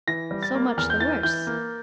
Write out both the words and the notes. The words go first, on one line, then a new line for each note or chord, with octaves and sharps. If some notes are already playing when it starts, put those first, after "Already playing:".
So much the worse!
E3 A#6
G3
A6
A#3
E2 F6
G6
E3 A6
E3 G6
A#3